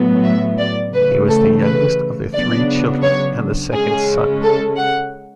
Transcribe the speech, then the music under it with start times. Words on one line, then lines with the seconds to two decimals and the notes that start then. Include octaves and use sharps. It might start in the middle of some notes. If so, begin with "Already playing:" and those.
He was the youngest of their three children, and the second son.
Already playing: A2 F#3 B3
0.24 E5
0.59 D5
0.93 C#3 E3 A3 B4
1.29 A4
1.63 B4
2.33 C#3 F#3 B3 D4 D5
3.03 C#5
3.73 C#3 G#3 C#4 G#4
4.43 A4
4.77 F#5